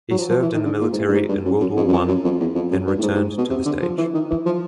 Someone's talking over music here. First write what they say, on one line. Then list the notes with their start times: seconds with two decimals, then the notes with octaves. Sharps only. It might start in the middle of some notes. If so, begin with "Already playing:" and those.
He served in the military in World War One, then returned to the stage.
0.11 F#3
0.18 F3
0.30 F3
0.42 E3
0.54 D#3
0.65 D3
0.81 A#2
0.93 G#2
0.97 A2
1.08 G2
1.14 G#2
1.28 G2
1.45 F#2
1.61 F#2
1.76 F2
1.88 F#2
1.93 F2
2.08 F#2
2.24 F2
2.40 E2
2.55 F2
2.71 F#2
2.87 G2
2.99 A2
3.02 G#2
3.14 G#2
3.38 B2
3.50 C3
3.66 D3
3.82 F3
3.98 E3
4.14 D#3
4.30 E3
4.45 F3